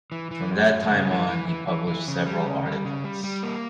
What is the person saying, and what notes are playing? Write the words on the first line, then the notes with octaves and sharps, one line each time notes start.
From that time on he published several articles.
E3
E3
F#2
F#2
C#3
E3
E3
E3
E3
E3
C#3
G3
C#3
G3
C#3
G3
G3
A#3